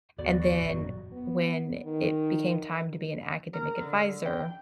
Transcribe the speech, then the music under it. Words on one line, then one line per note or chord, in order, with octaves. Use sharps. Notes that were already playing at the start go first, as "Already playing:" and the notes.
And then, when it became time to be an academic adviser,
D#2 B3 F#4 D5
D#1 G#1 F#2
B3
D#3
A#4
D3
G5